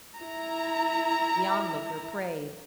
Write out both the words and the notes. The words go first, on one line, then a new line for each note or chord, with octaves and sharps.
The Onlooker prayed.
E4 A#5